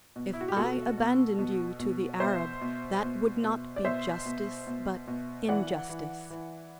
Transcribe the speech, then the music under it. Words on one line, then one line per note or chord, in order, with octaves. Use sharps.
If I abandoned you to the Arab, that would not be justice but injustice.
B2
E4
F#4
G4
B2 F#4 A4
B2
B2
B2
B2 C5 E5
B2
B2
B2
D5
B2 C5 E5
B2
B2
B2
E3 D5 F#5
E3
E3